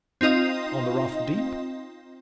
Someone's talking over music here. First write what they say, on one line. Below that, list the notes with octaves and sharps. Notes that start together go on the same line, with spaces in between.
'On the rough deep.
C4 D#4 F4 D#5